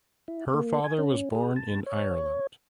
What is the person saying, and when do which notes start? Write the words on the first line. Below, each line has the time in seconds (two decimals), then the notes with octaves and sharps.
Her father was born in Ireland.
0.28 E4
0.54 A#3
0.84 G#5
0.98 C#4
1.35 G#4
1.56 A5
1.86 C#5